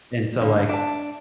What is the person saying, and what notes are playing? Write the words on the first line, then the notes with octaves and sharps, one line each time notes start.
and so, like,
D3 F5
D4 E5 F5 A5